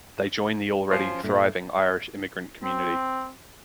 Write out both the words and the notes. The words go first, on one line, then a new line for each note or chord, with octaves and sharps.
They joined the already thriving Irish immigrant community.
F3 C#4 C5
G2 A#2 A3
C4